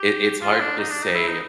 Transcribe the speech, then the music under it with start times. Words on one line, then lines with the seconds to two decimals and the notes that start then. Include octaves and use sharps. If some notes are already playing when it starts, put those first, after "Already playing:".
it it's hard to say
Already playing: G4
0.42 F4
0.60 D4
0.78 D#4
0.90 D4
1.02 D#4
1.15 E4
1.28 D#4